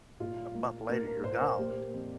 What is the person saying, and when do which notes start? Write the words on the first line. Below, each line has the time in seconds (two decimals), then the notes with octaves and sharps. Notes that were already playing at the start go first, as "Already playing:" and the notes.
and a month later you're gone,
0.20 A#2 F4
0.54 A#3
0.89 A#3 A#4
1.07 A#4
1.24 A#2 C5
1.41 A#4
1.58 A#3 G4
1.93 F2